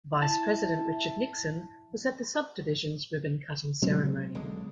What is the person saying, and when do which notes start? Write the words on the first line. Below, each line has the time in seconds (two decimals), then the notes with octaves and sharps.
Vice President Richard Nixon was at the subdivision's ribbon-cutting ceremony.
0.22 E4 A5
3.82 B2 F#3 G#3 C4
4.35 B1 D3 G#3